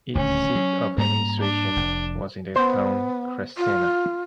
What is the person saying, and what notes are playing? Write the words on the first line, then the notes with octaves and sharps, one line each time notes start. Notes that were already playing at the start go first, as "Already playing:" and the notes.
Its seat of administration was in the town Krestena.
D#1 D2 C#4
F#3
G#2 G3 A#3 A#5
D4
F1
B3 C5
F4